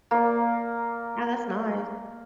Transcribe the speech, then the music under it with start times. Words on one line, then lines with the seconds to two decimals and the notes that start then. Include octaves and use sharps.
No, that's nice.
0.11 A#3 D5